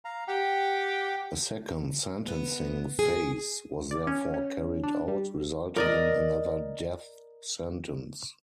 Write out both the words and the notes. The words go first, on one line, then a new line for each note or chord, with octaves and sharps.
A second sentencing phase was therefore carried out, resulting in another death sentence.
F5 A#5
G4 F#5 G5
B3
G#4
D5
C#4
C#4
D4
G3
A#4 D5 D#5